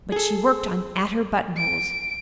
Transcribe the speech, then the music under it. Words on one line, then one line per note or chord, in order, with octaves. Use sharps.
But she worked on at her buttonholes.
G#4 A4
D7